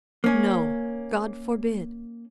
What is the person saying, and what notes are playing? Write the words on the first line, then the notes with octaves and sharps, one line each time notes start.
No, God forbid!
A#3 C#4